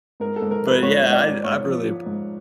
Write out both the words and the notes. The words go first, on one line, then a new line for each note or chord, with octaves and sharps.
but, yeah, I I've really ap
G#2 A#4
A4
G#2
A#4
F3 B4
G#2 C#5
G#2
D5
G#2
G#2 C#5
F3
F3
G#2